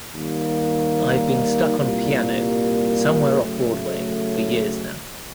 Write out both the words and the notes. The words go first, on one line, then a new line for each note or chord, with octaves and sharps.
I've been stuck on piano, somewhere off Broadway, for years now.
D#2 D#3 G3 A#3
C2 A#2 G3 A#3
C#3 F#3 A3